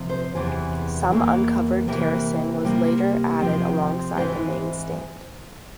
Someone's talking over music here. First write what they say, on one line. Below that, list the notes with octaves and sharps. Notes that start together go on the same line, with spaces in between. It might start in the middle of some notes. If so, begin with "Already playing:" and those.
Some uncovered terracing was later added alongside the main stand.
Already playing: C3 F3 C4
C5
E2 C3 E3 G#4
E2 E3 A#3
C3 E3 A#3 A#4
C3 G3 A#3
C3 F3 C4
G#2 E3 G#3 C4 C5